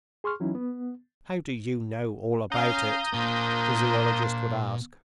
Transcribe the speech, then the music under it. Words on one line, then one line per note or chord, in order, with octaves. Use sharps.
"How do you know all about it?" the zoologist would ask.
G#4 C6 C#6 F6
E3 F#3 C#4 D#4 E4
B3
C#4 F5 A#5 D#6 G6
A#2 A#3 D4 C5